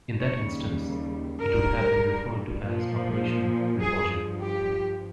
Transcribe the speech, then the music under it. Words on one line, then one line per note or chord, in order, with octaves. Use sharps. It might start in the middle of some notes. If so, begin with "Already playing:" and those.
In that instance, it would have been referred to as Operation Reforger.
D#2 C#3 G3 C#5
G2 G3 A#4
A#2 F3
G2 F3 G#4
G4